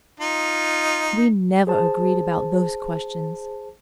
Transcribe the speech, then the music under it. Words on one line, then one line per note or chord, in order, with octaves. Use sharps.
We never agreed about those questions.
D#4 F4
G#4 C5 A5